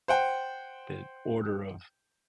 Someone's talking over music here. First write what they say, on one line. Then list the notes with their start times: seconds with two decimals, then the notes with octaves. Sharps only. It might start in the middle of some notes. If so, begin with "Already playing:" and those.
the order of
0.08 C5 F#5 G5